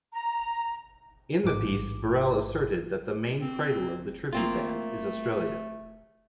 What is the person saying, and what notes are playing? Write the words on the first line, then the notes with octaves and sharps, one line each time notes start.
In the piece, Barrell asserted that the main cradle of the tribute band...is Australia.
A#5
A1 G#2 D6
C4
A3 A#3 C4 F4